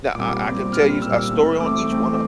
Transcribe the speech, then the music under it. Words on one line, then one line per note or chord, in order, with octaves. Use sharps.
now I I can tell you a story on each one of
A#2 G3 C4 D6
A#2 G3 C4
A#2 G3 C4 F6
A#2 G3 C4 E6
E3 A3 C4
E3 A3 C4 D6
E3 A3 C4